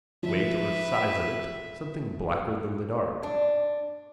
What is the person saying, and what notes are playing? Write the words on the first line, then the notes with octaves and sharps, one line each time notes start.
Weight or size of it, something blacker than the dark.
F3 B4 E5
D4